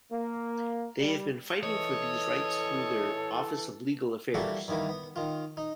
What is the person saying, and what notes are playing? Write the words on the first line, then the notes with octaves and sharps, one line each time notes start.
They have been fighting for these rights through their Office of Legal Affairs.
A#3
G3
E3 A4 C#5 D#5
E3 G3 A#3 F#4 A4 D5
G2 D#3 E3 A#3 B5
B3
D#3 F4
D#4